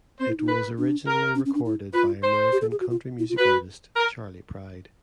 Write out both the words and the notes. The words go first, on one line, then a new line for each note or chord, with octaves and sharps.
It was originally recorded by American country music artist Charley Pride.
C4 C5
E4
D#4
B4
D4
A#4
C#4
C#4
D4
E4
F4 B4
C5
G4
A4
G#4
F#4
F4
E4
F4
F#4 B4
A#4